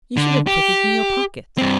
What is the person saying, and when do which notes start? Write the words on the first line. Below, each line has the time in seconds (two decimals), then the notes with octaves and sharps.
You should have put it in your pocket.'
0.17 D3
0.47 G4
1.58 G2 C4